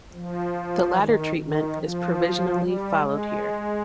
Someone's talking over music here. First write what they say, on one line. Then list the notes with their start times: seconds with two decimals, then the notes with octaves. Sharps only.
The latter treatment is provisionally followed here.
0.13 F3
0.95 D#3
1.36 D#3
1.76 F3
2.58 G3
2.98 G#3